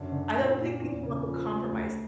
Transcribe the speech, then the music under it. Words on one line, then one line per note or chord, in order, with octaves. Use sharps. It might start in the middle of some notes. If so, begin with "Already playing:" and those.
I don't think people want to compromise.
Already playing: F#2 D3
D3
A#2
A#2
E2
C#3
F3
A3
D2